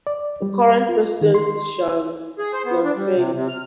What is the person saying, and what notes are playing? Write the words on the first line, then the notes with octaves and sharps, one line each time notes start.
The current president is Shang Yongfeng.
D5
G3
F4
D#3
C6
G#4
C5
B3
D4
G3
C3
C3
F6